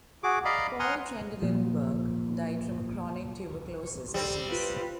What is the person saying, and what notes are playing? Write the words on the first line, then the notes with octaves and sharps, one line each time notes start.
Paul Trendelenburg died from a “chronic tuberculosis disease”.
F#4 G#4 D6
D5 D#5 F5 A#5 B5
F#5 G#5 A#5 C6 D#6 F6
A#2 F3
G3 C4
F4 B4